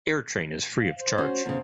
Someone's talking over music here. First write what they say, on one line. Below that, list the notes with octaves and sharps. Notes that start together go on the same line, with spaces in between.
AirTrain is free of charge.
F5
C5
C#4 F#4
E2 C#3